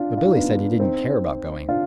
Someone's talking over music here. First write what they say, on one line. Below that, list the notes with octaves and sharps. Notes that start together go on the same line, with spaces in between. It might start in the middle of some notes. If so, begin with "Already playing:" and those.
But Billy said he didn't care about going.
Already playing: D4 F4
F4
D#4
B3 D4
C4 D#4
D4 F4